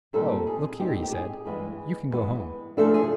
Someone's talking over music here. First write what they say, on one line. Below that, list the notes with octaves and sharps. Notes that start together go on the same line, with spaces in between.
"Oh, look here," he said, "you can go home."
A#2 G3 C4 D#4 A4
G#4
A#2 G3 C4 D#4 G4
G4
G#4
G2 E3 G#3 B3
G2 E3 G#3 B3
C#3 F3 A3 D4 A4
G#4